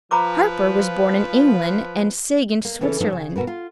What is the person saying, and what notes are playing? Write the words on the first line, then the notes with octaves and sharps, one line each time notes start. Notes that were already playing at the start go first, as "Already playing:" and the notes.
Harper was born in England, and Sigg in Switzerland.
F3 B4 A#5 B5 D6
A#3
C#3 E3 C#4 E4 G4 A4
F3 F#3 D4 D#4
C#3
B2 F#4 A#4 B4
F4